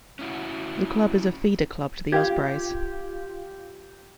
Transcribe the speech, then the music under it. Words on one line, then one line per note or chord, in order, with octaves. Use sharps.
The club is a feeder club to the Ospreys.
C#4 E4 F#4
F4 G4 F5 G5 G#6